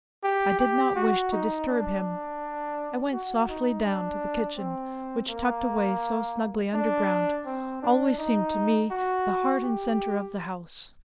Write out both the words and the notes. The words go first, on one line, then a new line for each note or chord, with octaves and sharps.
I did not wish to disturb him. I went softly down to the kitchen which, tucked away so snugly underground, always seemed to me the heart and center of the house.
G4
G4
F#4
D#4
D4
F#4
D#4
D4
C4
A#3
D4
C4
D4
D#4
F#4
G4